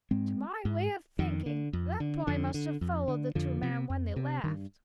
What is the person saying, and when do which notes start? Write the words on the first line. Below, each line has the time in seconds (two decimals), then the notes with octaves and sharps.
"To my way of thinking, that boy must have followed the two men when they left."
0.11 G#2 G#3 C4
0.65 G#2
1.19 F2 D#3
1.46 D3
1.73 F2
2.00 D3
2.27 F2 D3
2.54 D3
2.81 F2
3.08 D3
3.35 F2 D3 F3
3.63 C3
3.90 F2
4.16 C3
4.44 G2 D#3